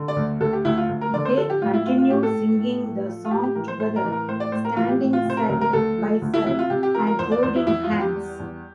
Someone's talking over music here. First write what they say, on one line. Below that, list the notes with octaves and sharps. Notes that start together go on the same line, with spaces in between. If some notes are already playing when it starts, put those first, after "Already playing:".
They continue singing the song together, standing side by side and holding hands.
Already playing: D3
D5
D2
D2 A4
G4
D2 E4
F4
D2
A#4
D3 D5
C5
F3 A4
G4
A2 F4
E4
A2 F4
F4
A2 G4
A4
A2
A2
A2
F3
F4
A2 G4
G4
E3 A#4
C5
A2 C5
A#4
E3
A#4
A2 C5
D5
A2 C5
A#4
E3 F4
G4
A2
F4
C3 C5
A#4
D2 A#4
A#4
D2 A4
F3
D2
E4
C3 E4
F4
C3 G4
G4
F3 A#4
A#4
E2 C5
D5
E2 C5
E4
E2 E4
F4
E2
G4
G3
E2